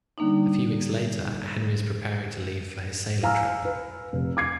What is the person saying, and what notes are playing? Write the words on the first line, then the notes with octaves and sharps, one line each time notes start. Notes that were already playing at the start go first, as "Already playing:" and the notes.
A few weeks later, Henry is preparing to leave for his sailing trip.
D3 G3 A#3 D4 D#4
F5 G#5 A#5 E6 F6
B4
F1
D6 G#6 C7